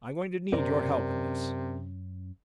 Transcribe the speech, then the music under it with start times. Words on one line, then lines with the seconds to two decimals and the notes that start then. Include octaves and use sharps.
I'm going to need your help in this.
0.52 F#2 C3 C4 C#4 A#4 D5